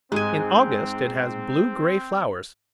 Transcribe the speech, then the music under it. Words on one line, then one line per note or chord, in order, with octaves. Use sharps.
In August it has blue-grey flowers.
G#2 G#3 C4 G#5